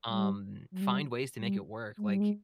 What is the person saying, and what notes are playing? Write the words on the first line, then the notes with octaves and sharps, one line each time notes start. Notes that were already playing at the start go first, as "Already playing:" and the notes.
Um, find ways to make it work, like
G3
F#3
G3
G3
G#3
G3
G#3